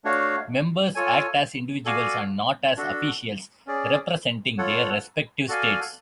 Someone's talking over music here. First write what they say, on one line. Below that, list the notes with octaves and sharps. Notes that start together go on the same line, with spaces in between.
Members act as individuals and not as officials representing their respective states.
A3 D4 F#4 C#5 F5
F4 A4 C#5 G#5
F#4 A4 D5 F5 G#5
D4 F#4 A4
C#4 G#4 D5
F4 A4 C#5 F#5
F#4 A4 D5 F5 G#5